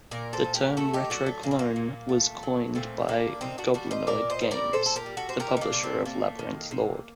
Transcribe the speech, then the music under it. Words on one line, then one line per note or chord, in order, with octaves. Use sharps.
The term "retro-clone" was coined by Goblinoid Games, the publisher of Labyrinth Lord.
A#2 A#4 D5
A4 C5
A#2
G4 A#4
A3 F#4 A4
D#4 G4
F#3 D4 F#4
A3
A#2 A#3
C4
A#3
A#2
A3
F#3
A#2 A3 C4
G3 A#3 D4
A#2 C4 D#4
D4 F#4
G3 D4 F#4
C5 D#5
A#2 A#4 D5
C5 D#5
G3
A#4 D5
A#2 A4 C5
A4
G4 A#4
G3
F#4 A4
C5
C3 G4 A#4
D#4
A#3 D4
C3
A3 C4
A3 A#3
D#3
C3